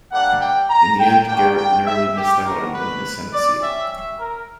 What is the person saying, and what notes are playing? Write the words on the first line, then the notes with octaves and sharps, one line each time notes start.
In the end Garrett narrowly missed out on winning a senate seat.
G3 A#3 D4 G4 F#5
G5
A#5
G5
A#3 D4 F#4 G5
G5
E5
G4
B3 D4 F#4 A#4
B4
D5
C#4 G4 E5
E5
A#4